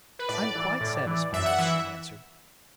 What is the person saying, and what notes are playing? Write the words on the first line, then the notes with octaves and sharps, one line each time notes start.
"I'm quite satisfied," she answered.
B4
A2 D5
E3
A2
E3
F#2 E5
F#5
E3 E5